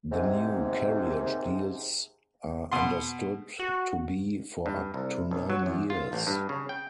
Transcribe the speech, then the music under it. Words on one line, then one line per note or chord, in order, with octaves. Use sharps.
The new carriage deals are understood to be for up to nine years.
D#2 G#2 C3
B2 F#5 C6
F#4
G2
C2
B1
F#3
E2
F4
A1
G2
C#3
G5